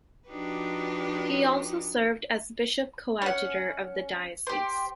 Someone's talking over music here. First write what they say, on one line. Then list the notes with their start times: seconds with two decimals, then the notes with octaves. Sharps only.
He also served as bishop coadjutor of the diocese.
0.29 F3 D4 D#4 F#4 G4 B4
3.22 C#4 F#5
4.47 G4 C5